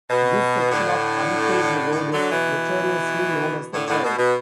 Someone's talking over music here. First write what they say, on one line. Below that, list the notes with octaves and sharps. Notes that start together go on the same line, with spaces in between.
This section of unpaved road is notoriously known as the trail.
B2
A2 D3
A2 D3
D3 F#3
B2 E3
A2 D3
A2 D3
B2
B2